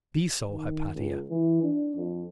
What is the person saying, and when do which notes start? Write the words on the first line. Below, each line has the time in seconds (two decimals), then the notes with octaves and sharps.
Be so, Hypatia....
0.48 D#3
0.95 C#2
1.30 E3
1.63 D4
1.96 F2